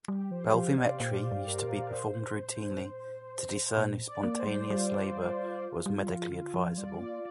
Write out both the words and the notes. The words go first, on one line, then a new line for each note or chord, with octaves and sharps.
Pelvimetry used to be performed routinely to discern if spontaneous labour was medically advisable.
G3 G4
F3 C5
F3 F5
C3 D5
A#2 C5
G2
A#4
A#2
C5
A#2
D5
A#3
C5
G3
G3 F4
G3
F3
D3
F3 F4
G3 D5
A#3 D5